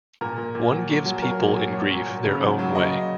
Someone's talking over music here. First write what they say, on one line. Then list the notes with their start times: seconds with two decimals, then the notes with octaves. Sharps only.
One gives people in grief their own way.
0.21 A#2 A#4
0.38 A#2
0.55 A#2
0.71 F#3
0.89 F#3
1.05 F#3
1.22 F#3 A#4
1.40 A#2
1.56 F#3
1.73 F#3 C#5
1.90 F#3
2.08 A#2
2.24 C#3
2.42 F#3
2.59 F#3
2.75 C#3 D#5
2.93 C#3